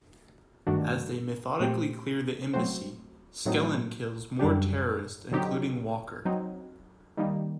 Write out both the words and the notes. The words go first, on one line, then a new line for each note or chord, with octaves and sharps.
As they methodically clear the embassy, Skellen kills more terrorists including Walker.
G2 D#3 A3 D4 F#4
A#2 A3 C4 G4 C5
F#3 A3 C4 F#4 C5
A2 F#3 A3 C4 D#4
F#2 D3 G3 D4 G4
D3 F#3 C4 D#4 G4
F#3 C4 D#4
D#3 G3 A#3 D#4